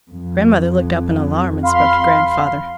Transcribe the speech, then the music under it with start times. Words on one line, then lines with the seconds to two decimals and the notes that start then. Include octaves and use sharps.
Grandmother looked up in alarm and spoke to grandfather.
0.11 F2
1.63 F5 B5 C6